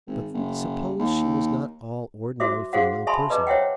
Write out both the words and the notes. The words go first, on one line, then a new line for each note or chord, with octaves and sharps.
But suppose she was not all ordinary female person....
G#1
F#1
D#2
F#4 C5 E5 D6
F#4 G#4 C5 F5 F#5
E5 G#5 A5 B5 C6
B4 D#5 A#5 D6
C5 C#5 E5 F#5 G5